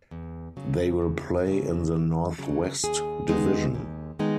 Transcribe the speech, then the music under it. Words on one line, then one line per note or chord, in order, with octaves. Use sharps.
They will play in the Northwest Division.
E2
C#3 F#3
E2
C#3 F#3
E2
C#3 F#3
D#2 G#4
D#3 G#3 B3 D#4
D#2
D#3 G#3 B3 D#4